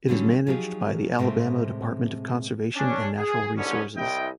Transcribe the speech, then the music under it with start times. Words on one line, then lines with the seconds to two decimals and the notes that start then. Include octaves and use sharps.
It is managed by the Alabama Department of Conservation and Natural Resources.
0.09 D3 F#3 G3 C#4
0.47 F3 F#3 D#4 G4 G#4
1.18 A2 C3 G#3 A#3 C4
2.76 C#4 D4
3.18 G#4
3.57 C2 G#2 D3 B3 C#4
3.96 C2 C3 E4 D#5 G5